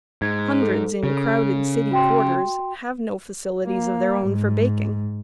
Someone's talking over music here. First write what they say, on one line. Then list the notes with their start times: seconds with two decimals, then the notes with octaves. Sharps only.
Hundreds in crowded city quarters have no facilities of their own for baking.
0.22 G#2 G#6
0.62 A4
1.03 C#3
1.91 F#4 G5 C6
3.66 A#3
4.27 G#2